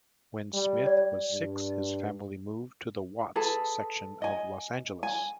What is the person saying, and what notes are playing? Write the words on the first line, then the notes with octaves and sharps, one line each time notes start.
When Smith was six his family moved to the Watts section of Los Angeles.
G3
D5
G2
G#4 A4 B4 A5
D#5 G#5
G#5